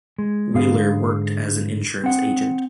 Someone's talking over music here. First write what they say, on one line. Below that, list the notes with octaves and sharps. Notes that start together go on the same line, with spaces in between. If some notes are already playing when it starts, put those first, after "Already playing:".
Wheeler worked as an insurance agent.
G#3
G#2 D3 G#4 F5
C4 F#5